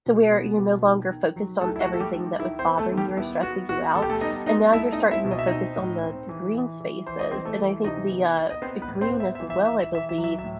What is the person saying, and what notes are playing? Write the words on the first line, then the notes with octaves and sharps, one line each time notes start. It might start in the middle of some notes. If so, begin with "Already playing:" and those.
to where you're no longer focused on everything that was bothering you or stressing you out, and now you're starting to focus on the green spaces. And I think the, uh eh, green as well, I believe,
B2
B3
B2
D#3
D#3
F#3
D#3 A3 A4
E4
F#4
A3
A4
G3 G4
D#3
D#3 E4 E5
C4 C5
B3
A3 A4
D#3
G3 G4
B3 E4
B3 F#4
B3 F#4
G3 A4
G4
A3 A4
B3 D#4 D#5
B3 D#4 D#5
A3 E4 E5
D#4 D#5
C4
E4 E5
B2
D#5
E5
C4 D#4 D#5
A2
C4
E3
E3
E3
E3 C5
D#5
E3 C4 C5
A3 A4
E3
C3 D#4 D#5
B3
B3
D#5
B3 C4 C5
B3 B4
A2
C4 C5
B3
E5
E5
E3
E5
E3 E5
E5
E3 E5
E5
F#3
E5
E5
A2